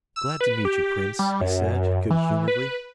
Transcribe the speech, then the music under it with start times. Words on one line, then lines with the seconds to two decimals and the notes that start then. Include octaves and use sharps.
"Glad to meet you, Prince," he said, good humouredly.
0.16 E6
0.41 B4
0.65 G4
1.19 G3
1.41 F#2
2.10 E3
2.48 B4